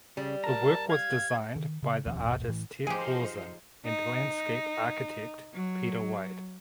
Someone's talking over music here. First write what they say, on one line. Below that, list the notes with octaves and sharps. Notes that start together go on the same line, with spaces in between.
The work was designed by the artist Ted Clausen and landscape architect Peter White.
C#3 G3
A#4 A5 A#5
F5 G#6
D#3
C#3
E1 D#2 F3 C#4
G#1 D#2 A#2
A2 E3
F3 D#4 G4 G#4 C5
D#4
F#3